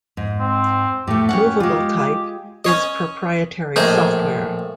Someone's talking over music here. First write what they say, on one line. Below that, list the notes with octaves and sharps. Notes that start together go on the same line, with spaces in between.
Movable Type is proprietary software.
G#2
C4
A2 A3 G4
C#4 G4 F#5
G#3 F4 G4
C#4 C#5 D#5
A#1 A2 G#4 C5 D#5 A#5